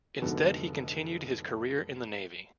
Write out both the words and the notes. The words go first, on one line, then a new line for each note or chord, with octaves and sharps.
Instead he continued his career in the navy.
F1 G#2 D3 B3 F#4 A4